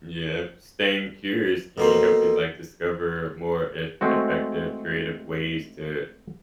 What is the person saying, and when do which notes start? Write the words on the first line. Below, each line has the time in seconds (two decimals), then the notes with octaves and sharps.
Yep, staying curious can help you, like, discover more eff effective, creative ways to
1.78 B2 A#3 A4 C5
4.01 G#3 A3 C4 F#4